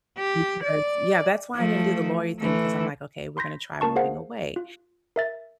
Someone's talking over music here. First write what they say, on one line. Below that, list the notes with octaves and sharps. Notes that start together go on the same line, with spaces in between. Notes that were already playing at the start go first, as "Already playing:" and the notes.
because yeah, that's why I didn't do the lawyer thing because I'm like, "Okay, we're gonna try moving away."
G4
D5
F3 A3
E3 A3
B5 C6 G6 A#6 B6
A#3 A#4 A5 C#6
G#4 A#4 C5 F5 F#5
F4
A#4 E5 A6